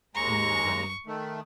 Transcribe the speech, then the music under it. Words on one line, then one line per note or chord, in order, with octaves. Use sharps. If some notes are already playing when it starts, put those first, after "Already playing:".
In vain!
D#2 G#3 A#5 C#6
D#3 A3